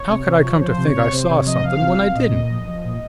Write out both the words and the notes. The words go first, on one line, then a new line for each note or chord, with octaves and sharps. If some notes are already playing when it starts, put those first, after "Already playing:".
How could I come to think I saw something when I didn't?'
Already playing: C#5
C3
C3
F3
F3 C5
C3
C#5
C3
C3 C5
C3 C#5
F3 D#5
F3 F5
C3
C3
A#2 D#5
A#2
F3
F3
A#2